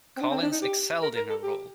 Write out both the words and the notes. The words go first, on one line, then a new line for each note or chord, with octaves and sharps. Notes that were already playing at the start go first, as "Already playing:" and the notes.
Collins excelled in her role.
C4
D4
C4
D4
D#4
G4
A#4
A#4
A4
G4